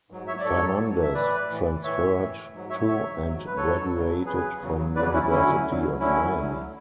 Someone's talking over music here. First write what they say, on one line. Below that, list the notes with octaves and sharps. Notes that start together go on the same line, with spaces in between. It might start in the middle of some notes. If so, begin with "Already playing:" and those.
Fernandez transferred to and graduated from University of Miami.
G#2 F#3
C#5 E5
D5
G#2 F#3 A4 C#5
G#2 F#3
E5
A2 E3 B4 D5
A2 E3
A2 E3 C#5 E5
A2 E3
G#2 F#3
C#5 E5
G#2 F#3 C#5 E5
G#2 F#3
B4
G#2 F#3 A4 C#5
E2 C#3 F#3
E2 C#3 F#3 G#4 B4
E2 C#3 F#3
E2 C#3 F#3 B4 D5
C#4 E4
D2 D3 F#3 C#4 E4
D2 D3 F#3
D2 D3 F#3 C#4 E4
D2 D3 F#3